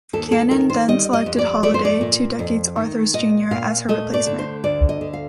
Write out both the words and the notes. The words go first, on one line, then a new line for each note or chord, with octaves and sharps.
Kanin then selected Holliday, two decades Arthur's junior, as her replacement.
D#2 A4
A4
D#3 A#4
C5
G3 D#5
D#5
F2
D5
A3 D5
C5
D5
A#2
F2
D#3
A#2 D#5
A#2 F5
A3 D#5
D5
D3
C5
D2 D5
D#5
D3
F5